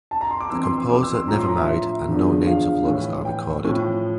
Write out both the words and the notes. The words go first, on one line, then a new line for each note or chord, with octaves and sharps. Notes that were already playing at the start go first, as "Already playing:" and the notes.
The composer never married, and no names of lovers are recorded.
A5
A#5
C6
D6
F2 E3 E6
C6
C6
D6
E6
C6
A2 F3 A#5
C6
A#5
E5
E2 D3 F3
F5
A2 E3
G5
A2 F3